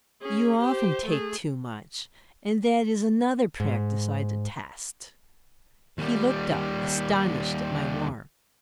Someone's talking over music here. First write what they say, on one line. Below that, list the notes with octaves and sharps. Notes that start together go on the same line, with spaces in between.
'You often take too much; and that is another practice I detest.' He looked up astonished at my warmth.
C#4 G#4
G4 C5
A3 G#4
G#2
D#2 G3